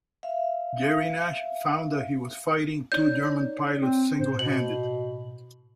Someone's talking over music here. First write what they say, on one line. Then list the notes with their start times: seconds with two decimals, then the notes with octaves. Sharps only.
Gerry Nash found that he was fighting two German pilots single-handed.
0.23 E5 F5
2.92 D#4 C#5 D5 G6
3.82 C4
4.20 A2 C5
4.39 B2 F#7